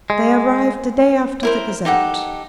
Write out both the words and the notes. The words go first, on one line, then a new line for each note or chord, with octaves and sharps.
They arrived the day after the Gazette.
G#3
E4 A#4 C5
D#4 G4 A4 F#5